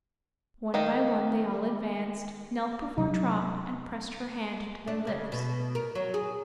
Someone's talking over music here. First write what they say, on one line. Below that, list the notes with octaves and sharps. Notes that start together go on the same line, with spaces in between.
One by one they all advanced, knelt before Trot and pressed her hand to their lips.
D#3 A#3 D#4
C3 F#3 D4
D4
C#3
B2
A#4
F#3
G#4